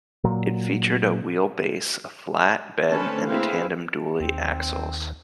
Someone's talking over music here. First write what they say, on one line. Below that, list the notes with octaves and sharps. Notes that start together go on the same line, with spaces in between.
It featured a wheelbase, a flat bed and tandem dually axles.
A#2 F#3
D3 A3 C4 C#4 B4 A5
A#3 C4 E4 G#4 B4 F5
D#2 C4